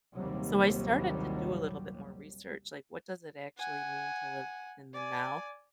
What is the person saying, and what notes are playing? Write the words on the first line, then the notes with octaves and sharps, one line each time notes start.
So, I started to do a little bit more research, like, what does it actually mean to live in the now?
A#1 D#2 C3 F#3 G3
F#5 G#5
D5 G#5